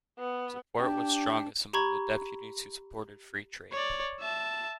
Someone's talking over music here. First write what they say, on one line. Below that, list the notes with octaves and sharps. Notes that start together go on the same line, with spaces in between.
Support was strongest among the deputies who supported free trade.
B3
D4 G4
G4 A#5 B5 C#6 G#6
C#5 D5
E5 A5